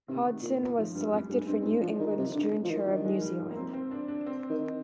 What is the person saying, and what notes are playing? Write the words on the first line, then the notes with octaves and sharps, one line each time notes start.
Hodgson was selected for England's June tour of New Zealand.
C3 D#3
A#2
G#2 F3
G2 G3
F2 G3
G2 G#3
G2 C4
G2
G#2 D4
F3 D4
D#3 D#4
C3
D3
F3
D#3
D4
G#3
G3
F3
A#3
C4
C4
D4
D4
C4
D#3